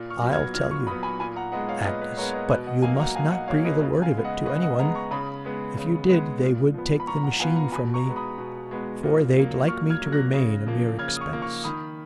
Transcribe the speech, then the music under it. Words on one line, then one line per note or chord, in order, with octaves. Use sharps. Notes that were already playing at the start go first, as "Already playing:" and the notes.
I'll tell you, Agnes, but you must not breathe a word of it to any one, if you did, they would take the machine from me: for they'd like me to remain a mere expense.
Already playing: A#2
C#6 F6
F#3 B3
F6 G#6
A#2 F6 G#6
C#6 F6
F#3 B3 B5 D#6
G#5 B5
A#2 G#5 B5
F#5 A#5
G#3 B3 D#5 F#5
C#5 F5
A#2 B4 D#5
B4
G#3 B3 A#4 C#5
B4 D#5
B2 B4 D#5
D#5 F#5
F#3 A#3 F5 G#5
F#5 A#5
B2 F5 G#5
D#5 F#5
F#3 A#3 C#5 F5
B4 D#5
C#3
F5 G#5
G#3 B3
D#5 F#5
C#3 B4 D#5
D#5 F#5
G#3 B3 F#5 A#5
A#5 C#6
C#3 B5 D#6
G#3 B3
C#3
G#3 B3
A#2
F3 B3
B5
A#2 A#5 C#6
F#5 A#5
F3 B3 F5 G#5
F#5 A#5
B2 G#5 B5
A#5 C#6
G#3 B3
B5 D#6
B2
G#3 B3
A#2
F#3 A#3
A#2 C#6 F6
F6 G#6
F#3 A#3
F#6 A#6
C#3
F3 A#3
C#3 F6 G#6
D#6
C#6 F6
F3 A#3
C#6 F6
D#3 B5 D#6